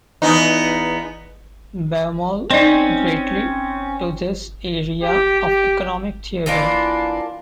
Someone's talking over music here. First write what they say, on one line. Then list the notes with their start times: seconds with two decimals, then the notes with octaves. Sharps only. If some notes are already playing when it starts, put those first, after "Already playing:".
Baumol greatly to this area of economic theory.
0.22 E2 B3 D#4
2.51 C4 C#4 D#4 D5 D#5
5.03 G4
5.40 G4
6.46 E3 A#3 D4 F4